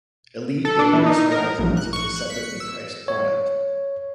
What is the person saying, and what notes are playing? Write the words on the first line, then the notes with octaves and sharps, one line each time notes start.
"Elite Dangerous Horizons" is a separately priced product.
A4
D4
E3
D#4
A#4
A#1
F#6
C#6
F#6
B6
C#7
E6
C#5